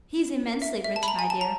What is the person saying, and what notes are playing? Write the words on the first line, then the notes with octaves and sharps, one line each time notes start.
He's immensely rich, my dear.
E5
E5
A5
B5
A#5
G#5
A5
A#5